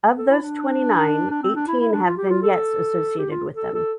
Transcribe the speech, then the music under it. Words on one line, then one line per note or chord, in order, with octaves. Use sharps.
Of those twenty-nine, eighteen have vignettes associated with them.
A4
E4
D4
D4
C4
D4
E4
E4
D4
F4
G4
F4
A4
G4
F4
A4
A4